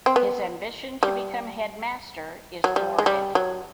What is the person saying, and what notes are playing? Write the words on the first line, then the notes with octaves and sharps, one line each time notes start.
His ambition to become headmaster is thwarted.
C4
B3
G3
F#3
G3
G#3
G3
F#3